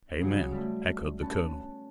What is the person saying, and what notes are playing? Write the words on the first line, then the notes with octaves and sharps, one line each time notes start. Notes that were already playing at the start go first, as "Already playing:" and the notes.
"Amen!" echoed the colonel.
C#3 F3 F#3
G3 A3
B3 C#4 A5